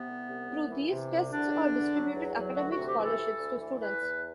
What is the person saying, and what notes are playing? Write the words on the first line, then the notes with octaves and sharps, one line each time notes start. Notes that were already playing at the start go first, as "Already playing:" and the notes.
Through these tests are distributed academic scholarships to students.
Already playing: C3 B3
C2
C2
C2
E3
C3
C2
D3 D4
E2
D3
F#3
E2
F#3
D2 F#4
F#4
C3
G4
E3 A4
E3
D2
E3
E2 B4
E2